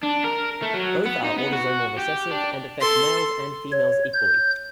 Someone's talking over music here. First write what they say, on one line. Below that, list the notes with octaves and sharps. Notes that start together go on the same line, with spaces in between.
Both are autosomal recessive and affect males and females equally.
D4
A#4
A3
F#3
B3
D#4
B3
F#4
G4
D4
A4 C6
C#5
G6